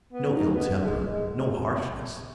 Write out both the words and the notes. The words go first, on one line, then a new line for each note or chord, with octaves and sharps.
No ill-temper, no harshness.
B3
D#4
B3
G#3
G#3